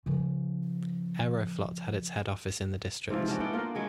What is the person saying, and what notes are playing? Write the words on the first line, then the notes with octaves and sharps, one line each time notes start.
Aeroflot has its head office in the district.
C#3 F3
G#2 C3 E3 F3
C#4 D4 F#4
B3 D4 E4 G5
A#3 F4 F#4 A#4
F#3 G#3 G#4